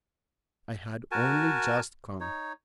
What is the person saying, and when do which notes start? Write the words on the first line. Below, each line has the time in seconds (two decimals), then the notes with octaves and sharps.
"I had only just come."
1.11 F#4 A#4 G#5 A5
2.21 D#4 C#5